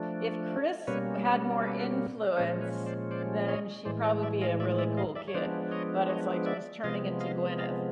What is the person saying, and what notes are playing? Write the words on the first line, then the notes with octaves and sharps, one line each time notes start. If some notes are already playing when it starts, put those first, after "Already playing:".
if Chris had more influence, then she'd probably be a really cool kid, but it's like she's turning into Gwyneth.
Already playing: F3 A3 D4
B2 G3 A#3 C#4 B4 C#5
B4 C#5
A4 B4
A#2 F3 G#3 C#4 B4 C#5
B4 C#5
C5 D5
C5 D5
C#5 D#5
A2 E3 G#3 C5 D5
C#5 D#5
D5 E5
D#5 F5
D5 E5
D5 E5
D#5 F5
D5 E5
C#5
F3 G#3 B3 D4 C5 D5
C#5 D#5
C#5 D#5
D5 E5
C3 F3 G#3 B3 D#5 F5
D#5 F5
D#5 F5